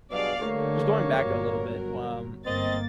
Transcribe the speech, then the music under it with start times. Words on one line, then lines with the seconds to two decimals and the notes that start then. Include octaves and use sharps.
just going back a little bit, um,
0.11 G2 B2 F#3 G#4 D5 F5
0.42 D3 G3 A3 A#3 C#5
1.21 G1 F#3 A#4
2.46 G1 A#3 C4 D#5 A6